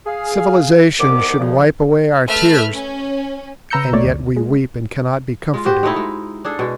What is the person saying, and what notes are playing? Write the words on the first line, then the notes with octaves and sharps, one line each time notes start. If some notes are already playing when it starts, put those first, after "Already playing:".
Civilization should wipe away our tears, and yet we weep and cannot be comforted.
G#4 F5
C2 D#3 B3 D6
F2 A#2 C#3 F3
A3 B4 E5 F6
C#4
C#3 B4 A#5 E6 G6 C#7
A#1 A#2 A3 C#5 D5
G1 D2
G#3
G#3 F4
F#4 G4 C5
G#3 A3 D#4 E4
G#3
D4 G#4 A4
B2 G#3